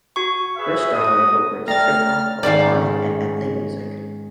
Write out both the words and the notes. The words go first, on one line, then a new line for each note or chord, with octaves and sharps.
Her style incorporates trip hop, electronic and ethnic music.
F#4 C#6
G#4 B4 E5
F#4 D#6
A3 D5 G5 A5 A#5 F6 A6
G#2 D#3 C#4 D5 F5